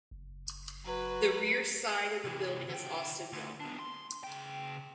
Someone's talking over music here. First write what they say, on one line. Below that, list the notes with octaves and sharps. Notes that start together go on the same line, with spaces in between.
The rear side of the building is also yellow.
F#1
F#3 B4
C3 E3
D3 G5
D2
B3 D4
C6
C#3 G5